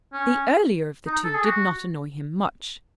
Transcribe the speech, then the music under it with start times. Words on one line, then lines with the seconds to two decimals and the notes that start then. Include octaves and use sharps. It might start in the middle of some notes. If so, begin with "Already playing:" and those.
The earlier of the two did not annoy him much.
0.13 C#4
1.07 D#4
1.24 A4
1.35 G#4
1.45 F#4